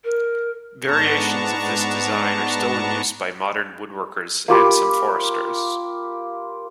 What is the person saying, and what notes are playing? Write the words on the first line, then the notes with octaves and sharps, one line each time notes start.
Variations of this design are still in use by modern woodworkers and some foresters.
A#4
G#2 B3 D4 A5 A#5 C#6
A#3 F4 G4 B5